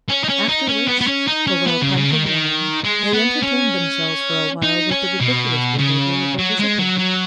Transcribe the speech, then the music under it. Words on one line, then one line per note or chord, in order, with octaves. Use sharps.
After which, over a pint of wine, they entertained themselves for a while with the ridiculous behaviour of their visitant.
C#4
D#4
C#4
D#4
C#4
B3
B3
C#4
D#4
C#4
B3
C#3
C#3
D#3
D#3
G#3
B3
C#4
D#4
C#4
B2
C#3
F#3
G#3
F#3
F#3